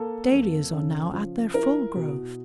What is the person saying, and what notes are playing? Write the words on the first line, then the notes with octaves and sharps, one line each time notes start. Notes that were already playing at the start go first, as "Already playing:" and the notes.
Dahlias are now at their full growth.
Already playing: A#3 A4
F2
C#3
F3
E4 A#4
B2